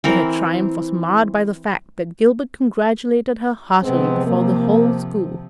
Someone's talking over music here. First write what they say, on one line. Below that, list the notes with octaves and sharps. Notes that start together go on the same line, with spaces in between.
But her triumph was marred by the fact that Gilbert congratulated her heartily before the whole school.
E3 C4 A#4
C3 F3 G#3 B3 C4
A#3